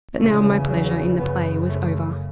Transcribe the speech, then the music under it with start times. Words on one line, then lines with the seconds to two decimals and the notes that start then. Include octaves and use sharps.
But now, my pleasure in the play was over.
0.17 E2 C#3 A3
0.68 F#3
1.17 F#2 C#3 B3
1.68 A3